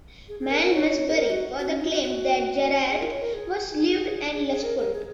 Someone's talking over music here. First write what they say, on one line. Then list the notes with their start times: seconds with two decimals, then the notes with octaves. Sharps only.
Malmesbury further claimed that Gerard was "lewd and lustful".
0.29 G#4
0.40 G#4
0.51 A#4
0.61 A#4
0.72 C#5
1.08 G#4
1.15 A#4
1.30 F#4
1.59 F#4
1.69 C#4
1.81 D#4
1.92 F#4
2.03 F#4
2.89 G#4
3.00 A#4
3.11 C#5
3.22 A#4
3.34 G#4
4.52 G#4
4.63 A#4
4.78 A#4
4.93 G#4